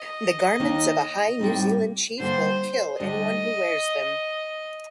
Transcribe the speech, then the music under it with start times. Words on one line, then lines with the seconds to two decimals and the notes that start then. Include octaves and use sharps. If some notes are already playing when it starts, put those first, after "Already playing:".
The garments of a high New Zealand chief will kill anyone who wears them.
Already playing: D#5
0.60 D#2 D#3 A#3 D#4
1.39 A2 G3 C4 D#4
2.19 D3 G3 A#3 C5
3.00 D2 D3 G3 D4 D#5